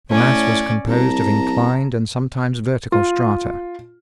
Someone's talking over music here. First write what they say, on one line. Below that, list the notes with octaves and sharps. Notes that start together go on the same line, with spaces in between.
The mass was composed of inclined and sometimes vertical strata.
A2 C#4 D5
C2 A5 A#5
F4